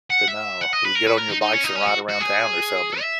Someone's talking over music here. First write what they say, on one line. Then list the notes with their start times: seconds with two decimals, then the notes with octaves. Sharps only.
But no, you get on your bikes and ride around town or something
0.10 F#5
0.28 E5
0.61 F#5
0.73 D#5
0.85 B4
0.95 A#4
1.07 B4
1.18 A#4
1.30 D#4
1.41 D#4
1.53 C#4
1.64 D#4
1.76 C#4
1.87 F#4
2.09 F#4
2.21 G#4
3.01 E5